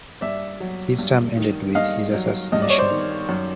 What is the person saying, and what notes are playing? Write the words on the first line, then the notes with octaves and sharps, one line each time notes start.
His term ended with his assassination.
G2 D5 E5
F#3
G2
D#3
G2 D#5 F5
F#3
G2 D#5
D5
C#5
C5 D5
D#3
F#2